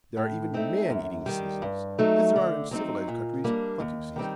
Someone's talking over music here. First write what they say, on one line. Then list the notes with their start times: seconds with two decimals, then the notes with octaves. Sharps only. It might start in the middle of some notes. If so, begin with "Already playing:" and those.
There are even 'man-eating seasons,' as there are in civilized countries hunting seasons.
0.17 A2
0.54 A3 C4 D#4
0.90 F#2
1.26 D#3 G3
1.62 G2
1.99 F#3 A3 D#4
2.36 D3
2.71 F#3 C4 D#4
3.08 A#2
3.44 G3 A#3 D4
3.80 D#2
4.16 D#3 G3 C4 D#4